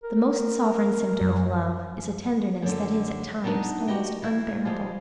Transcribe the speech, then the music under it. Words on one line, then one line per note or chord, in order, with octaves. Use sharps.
The most sovereign symptom of love is a tenderness that is, at times, almost unbearable.
A#4
F#2
F#2 D3
B3 D4 D#4 G#4 A#4
F#4 G4 B4 D#5 G5
E3 A#3 E4
F3 G3 G#3